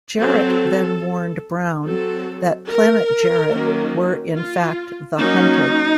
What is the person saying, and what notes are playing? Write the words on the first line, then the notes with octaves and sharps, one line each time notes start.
Jarrett then warned Brown that Planet Jarrett were in fact "the hunted".
F#3 C4 A4
F#3 C4 A4
A#4
D#3 F#3 A#3 C#4
F4
F#3 A#3 C#4 D#4